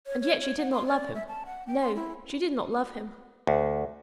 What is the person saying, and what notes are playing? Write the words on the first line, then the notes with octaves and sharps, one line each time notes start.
And yet she did not love him. No, she did not love him.
C#5
C#5
C#5
F#5
C6
D5
E5
A5
F#5
G5
C6
E4
D2